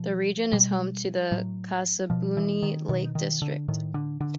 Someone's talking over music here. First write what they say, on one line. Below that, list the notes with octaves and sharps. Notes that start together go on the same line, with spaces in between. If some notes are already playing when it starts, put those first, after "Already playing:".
The region is home to the Kashubian Lake District.
Already playing: B2 F3
B2 G3
A2 F#3
B2 F3
E3
D#3
B2 D#3
D#3
D3
A2 D#3
D3
D3